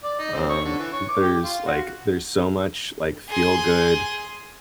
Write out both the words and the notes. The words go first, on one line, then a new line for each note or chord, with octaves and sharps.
um, there's like there's so much like feel-good,
D5
D#4
C4
C#5
D3
E3
C#5
D6
G4
F4
F#4
G#4 C6